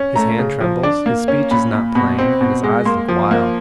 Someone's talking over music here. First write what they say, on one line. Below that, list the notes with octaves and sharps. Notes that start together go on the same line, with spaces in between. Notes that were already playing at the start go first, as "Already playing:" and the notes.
'His hand trembles, his speech is not plain, and his eyes look wild.
Already playing: C#4
A3 A#5
C#3
F3
D4
A#3
C#4
A#2 B5
A#2
B2 B5
C4
B2
G#3
A#3 C6
F3
A#3